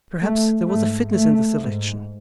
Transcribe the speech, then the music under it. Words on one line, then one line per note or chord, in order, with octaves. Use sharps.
Perhaps there was a fitness in the selection.
A3
G#2 A3
A3
G#2